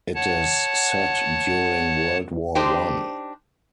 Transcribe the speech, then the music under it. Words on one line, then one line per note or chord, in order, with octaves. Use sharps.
It is set during World War One.
C#5 F#5 A5
D4 D#4 G4 C5 G5